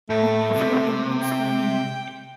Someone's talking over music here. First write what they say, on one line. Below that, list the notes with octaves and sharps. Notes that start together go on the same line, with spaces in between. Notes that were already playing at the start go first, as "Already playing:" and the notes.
Only a few domains were developed.
A2 A3
C3
G5